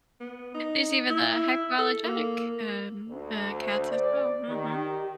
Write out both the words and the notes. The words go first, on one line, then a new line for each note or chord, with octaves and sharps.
There's even the hypoallergenic, um, uh, cats as well, mhm.
B3
D#4
E4
A4
A#3
D2
C5
D5
D#3 G4